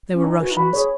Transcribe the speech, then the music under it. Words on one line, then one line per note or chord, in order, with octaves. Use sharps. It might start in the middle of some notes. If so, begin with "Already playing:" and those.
They were Russians.
C#4
D#4 G#5
F#4 B4
D#4
F#4 B5
G#4 C#5